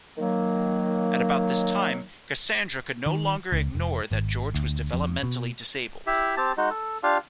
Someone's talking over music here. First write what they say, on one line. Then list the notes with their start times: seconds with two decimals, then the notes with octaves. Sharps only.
At about this time Cassandra could no longer ignore that George was developmentally disabled.
0.16 D#3 F#3 A#3
3.06 D#3
3.52 C#2
3.75 F1
4.11 G#1
4.55 D2
4.93 F2
5.23 B2
6.07 E4 G4 E5
6.37 C4 G4 A5
6.57 G#3 D#4 F#4
6.70 A4
7.03 D4 F4 G4 F5